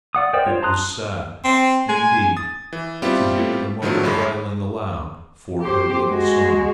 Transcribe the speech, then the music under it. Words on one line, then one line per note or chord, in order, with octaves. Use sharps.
It was sad, indeed, to hear the mother wailing aloud for her little son.
D5 F#5 D#6
A#4 C5 D5 D#5 G5
F4 C5 C#5
A5 A#5 C6 D#6 F#6
C4
G#3 G#5
D#6 A6
E3
G3 B3 C4 E4 F4 G4
D3 D#3 F3 F#3 A3 B3
G1 D#2 G#3 B5
G4 C5
G#3 F#4